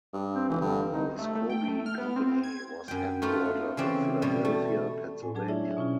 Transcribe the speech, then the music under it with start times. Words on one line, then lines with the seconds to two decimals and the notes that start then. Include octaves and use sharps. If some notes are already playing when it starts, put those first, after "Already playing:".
Muskogee Company was headquartered in Philadelphia, Pennsylvania.
0.13 G2
0.35 C4
0.49 F1 E3
0.61 G2 D3
0.92 C2 D#4
1.19 A3
1.35 A3
1.50 G5
1.68 A3
1.86 F6
1.98 B3
2.16 C4
2.43 G#6
2.88 F#2 G5
3.22 A3 D#4 F4 B4 F#5
3.77 C#3 E3 C4 D5 E5
4.22 B2 G3
4.45 A3
5.22 A2 G#5
5.35 F#3 D4 G#4 A5
5.48 D4 E4 F4 C#5 D5 E5
5.64 F#3
5.77 B2 C#4 E4 F4